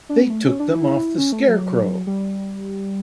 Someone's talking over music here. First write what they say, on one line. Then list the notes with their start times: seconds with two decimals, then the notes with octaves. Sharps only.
They took them off the scarecrow.
0.09 D4
0.17 C#4
0.23 B3
0.30 A3
0.45 C#4
0.60 D4
0.75 E4
1.18 C#4
1.32 A3
1.48 F#3
2.07 G3